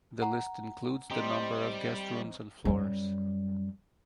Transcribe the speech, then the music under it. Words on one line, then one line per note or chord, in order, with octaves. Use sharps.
The list includes the number of guest rooms and floors.
F#5 A#5
G3 C4 D#4 G4
F#2 G3